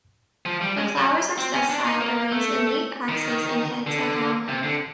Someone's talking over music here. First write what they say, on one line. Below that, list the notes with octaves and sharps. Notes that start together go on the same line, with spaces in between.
The flowers are sessile arranged in leaf axils in heads at ground level.
F3
G3
G#3
F#3
C4
C#4
D4
D#4
A#3
A3
D#3
D3
C3
D3